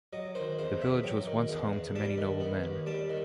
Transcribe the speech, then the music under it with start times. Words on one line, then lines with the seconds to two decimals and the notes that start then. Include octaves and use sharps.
The village was once home to many noble men.
0.13 F#3 D#5
0.35 D#3 C5
0.59 E2 C5
0.82 E2 E5
1.03 F#3 G5
1.27 D#3
1.49 E2
1.73 E2
1.96 G3 A5
2.18 D#3
2.40 B3
2.64 D#2
2.86 G3 A5
3.10 D#3